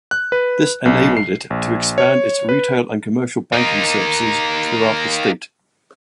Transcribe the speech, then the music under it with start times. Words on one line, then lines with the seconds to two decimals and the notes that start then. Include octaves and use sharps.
This enabled it to expand its retail and commercial banking services throughout the state.
0.11 F#6
0.32 B4
0.85 B1
1.17 C7
1.50 A#1
1.98 C#5
2.49 B4
3.53 A#3 D#4